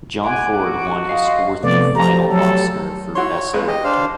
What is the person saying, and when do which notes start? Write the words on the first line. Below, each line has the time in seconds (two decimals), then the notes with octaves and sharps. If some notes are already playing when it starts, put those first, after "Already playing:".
John Ford won his fourth and final Oscar for best director.
0.24 F#5 G#5 D6
0.62 F#4
1.09 D#5 F5 C6
1.63 C3 F3 A3 B3 D5
1.95 F3 A3 G4 A#5
2.30 F#3 A4
3.15 E4 F#4 C#5 C6
3.53 A#1 G#3 B4
3.68 G4 D#5
3.84 D4 C5 F5